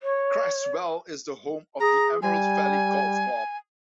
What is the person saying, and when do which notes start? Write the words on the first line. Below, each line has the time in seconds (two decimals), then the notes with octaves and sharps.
Creswell is the home of the Emerald Valley Golf Club.
0.01 C#5
1.80 G#4 A#5
2.22 G3 G#5